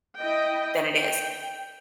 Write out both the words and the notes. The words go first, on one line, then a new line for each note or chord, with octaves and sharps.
than it is?"
E4 D#5 G5
G5